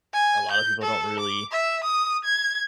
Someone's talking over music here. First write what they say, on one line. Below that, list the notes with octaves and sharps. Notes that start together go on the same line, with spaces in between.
a lotta people don't really,
G#5
G6
A4
D6
E5
D#6
G#6